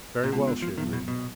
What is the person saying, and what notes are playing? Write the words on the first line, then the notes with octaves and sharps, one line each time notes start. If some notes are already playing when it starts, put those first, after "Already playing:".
"Very well," she agreed.
A#2
B2 G#3 B3 F4
D3
F3
A#2 D#3 F#3 B3
B2
B2